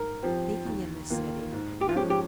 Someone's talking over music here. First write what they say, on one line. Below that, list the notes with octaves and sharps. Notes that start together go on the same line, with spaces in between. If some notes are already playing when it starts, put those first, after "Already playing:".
Speaking in this city, Rev.
Already playing: G#2 A#4
F3 C4 G4
D#2
D#3 A#3 F4
G#2
G4
F4
F3 G#3 C#4 G4
G4